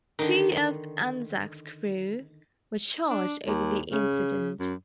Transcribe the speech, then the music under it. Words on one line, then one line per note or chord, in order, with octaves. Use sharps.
Two of "Anzac"s crew were charged over the incident.
D3 D#3
D4
D#2
C#3
F#2